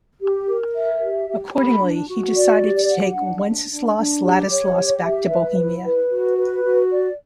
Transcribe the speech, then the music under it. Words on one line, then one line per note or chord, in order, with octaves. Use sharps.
Accordingly, he decided to take Wenceslaus-Ladislaus back to Bohemia.
G4
A#4
E5
G4
G4
B5
D4
F#4
D5
G4
F#5
D4
D4
D4
D4
G4
C#5
G4
E5
B4
E4
B4
F#4
B4
F#4
D5